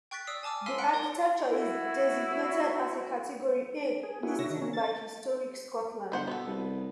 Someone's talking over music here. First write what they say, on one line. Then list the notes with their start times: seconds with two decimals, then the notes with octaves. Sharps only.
The architecture is designated as a Category 'A' listing by Historic Scotland.
0.11 G5 C#6 F#6 A6 B6
0.27 D5 D#6 E6 C7
0.43 G#5 A5 D6 E6 F6
0.66 F5 G#5 C6 E6 F6 B6
0.78 F#5 B5 F#6 C#7 D7
0.93 A#4 C#5 D5 G5
1.49 E4 F#4
4.03 G#4
4.23 A#3 E4 F#4 G#4
4.39 C3 F#4 C#5 E5 A#6
4.50 D#3
4.62 A#3 C#4
4.73 A6
6.12 G1 D#3 C5 F#5
6.27 B2 B3 A4
6.47 C2